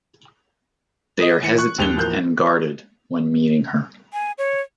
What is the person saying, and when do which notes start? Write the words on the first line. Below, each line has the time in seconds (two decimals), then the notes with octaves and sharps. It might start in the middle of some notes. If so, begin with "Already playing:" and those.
They are hesitant and guarded when meeting her.
1.20 D#5 D#6
1.42 E3 C#7
1.58 C#6 F#6
1.78 D#2 F7 G7
1.96 D1 E3 F3 A#3 F#6 G6
4.13 G#5
4.38 C#5